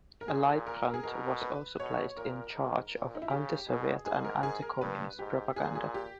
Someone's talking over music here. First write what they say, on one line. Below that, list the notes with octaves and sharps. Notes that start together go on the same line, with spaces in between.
Leibbrandt was also placed in charge of anti-Soviet and anti-Communist propaganda.
A#4
A#2 G#4
A#4
G#4
B2 A#4
B4
B2 C#5
A#2 A#4
G#2
A#2
D#4
E4
C#3 G4
B2 G#4
G#2 G#4
A#4
G#4
A#4
G2 B4
G#2 G4
A#2 G#4
G#4
G4